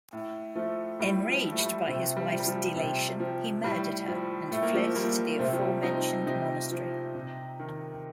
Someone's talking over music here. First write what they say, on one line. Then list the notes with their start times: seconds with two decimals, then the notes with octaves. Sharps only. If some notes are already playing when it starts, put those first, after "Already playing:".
Enraged by his wife's delation, he murdered her and fled to the aforementioned monastery.
0.13 A2
0.55 F3 A3
0.99 A2 G3
1.29 F3
1.44 F3
1.52 A3
1.59 G3
1.87 C3 F3 A3
2.17 G3
2.32 F3
2.40 G3
2.46 F3
2.76 C3
3.20 F3
3.64 A2 G3
4.08 F3
4.51 A2 A3
4.63 A#3
4.74 F3 A3
4.95 F3 G3 A#3
5.39 C3 A3 C4
5.53 F3
5.62 G3
5.83 F3 C4 D#4
6.27 C3 D#4 G4
6.71 F3
7.15 C3
7.60 D#3